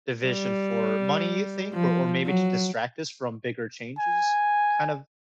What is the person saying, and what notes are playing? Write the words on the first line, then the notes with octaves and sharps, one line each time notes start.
division for money, you think, or or maybe to distract us from bigger changes, kind of
G3
F3
F#3
G#5